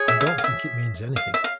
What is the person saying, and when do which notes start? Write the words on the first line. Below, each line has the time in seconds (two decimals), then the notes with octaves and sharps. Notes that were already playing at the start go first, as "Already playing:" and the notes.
I don't think it means anything.
Already playing: G#4 C#5
0.08 E5
0.21 E5
0.26 F5
0.38 F5
0.44 E5
1.16 F5
1.34 E5
1.44 F5